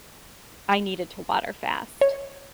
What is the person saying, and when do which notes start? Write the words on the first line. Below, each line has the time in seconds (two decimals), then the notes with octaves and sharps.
I needed to water fast,
2.01 C#5